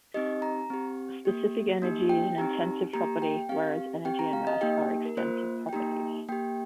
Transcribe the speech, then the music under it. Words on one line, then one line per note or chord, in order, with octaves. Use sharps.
Specific energy is an intensive property, whereas energy and mass are extensive properties.
C4 D#4 G4 D#5
A#5
C4 G4
A#3 G4
A#3 D#4 G4
G5
C4 D#4 G4 A#5
A#3 G4 A#5
G5
C4 G4 F5
C4 G4 G5
A#5
F5
D#5
A#3 D#4 G4 G5
A#4
A#3 F4 C5
G5
A#3 D#4 G4 A#5
A#3 G4 G5